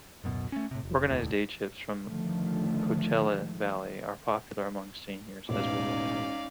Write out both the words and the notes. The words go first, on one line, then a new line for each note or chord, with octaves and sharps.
Organized day trips from the Coachella Valley are popular among seniors as well.
D1 F#2 B2
A3 C#4
A2 C3
F1
E1 D2 A2
D3 D#3 F3 A3
E1 A1 E2 C#4 D#4 D5 F5